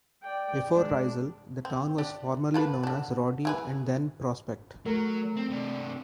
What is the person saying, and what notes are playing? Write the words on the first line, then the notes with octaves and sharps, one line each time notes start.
Before Riesel, the town was formerly known as Roddy and then Prospect.
D5 G5
G#3 D4
C4
D4 G4 D5
A#3 A4 B4
D3 D4
E4 G#4 B4
F#3 A3 A#4
C4
C3 D4